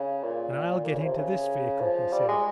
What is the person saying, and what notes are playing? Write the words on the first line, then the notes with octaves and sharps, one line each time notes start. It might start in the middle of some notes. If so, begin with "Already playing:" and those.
"And I'll get into this vehicle," he said.
Already playing: C#3
A#2
A#2
C#3
C3
C#3
F3
G3
G#3